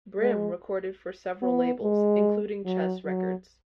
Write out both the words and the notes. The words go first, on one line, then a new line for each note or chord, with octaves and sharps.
Brim recorded for several labels, including Chess Records.
G#3
B3
G#3
F#3
F#3